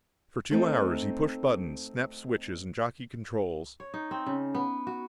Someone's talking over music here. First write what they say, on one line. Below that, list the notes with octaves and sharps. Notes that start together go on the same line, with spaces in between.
For two hours he pushed buttons, snapped switches and jockeyed controls.
A3 C4 D#4
C#5
D#4
C4
C#3
B3
F#4